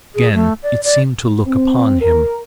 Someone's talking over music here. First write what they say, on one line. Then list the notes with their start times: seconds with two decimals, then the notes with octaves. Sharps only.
Again it seemed to look upon him.
0.15 G#4
0.34 A3
0.63 D5
0.84 D5
1.46 C4
2.00 A#4